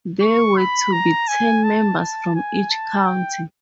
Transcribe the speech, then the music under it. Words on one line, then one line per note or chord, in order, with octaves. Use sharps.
There were to be ten members from each County.
C#6
B5
A#5
G#5
A5
A5
G#5
A5
G5